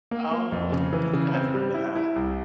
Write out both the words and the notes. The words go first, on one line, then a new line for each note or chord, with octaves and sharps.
Oh, I think I've heard of that.
A#3
A#3
F2
C#3
E3
C#3
C4
G3
E4
E4
C2